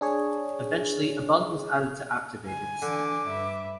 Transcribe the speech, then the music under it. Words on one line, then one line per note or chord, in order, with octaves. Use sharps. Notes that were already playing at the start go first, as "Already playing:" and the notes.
Eventually, a button was added to activate it.
D4 G#4 C#5
D3 G#5
D3 E3 D4 D6
G2 B4 E5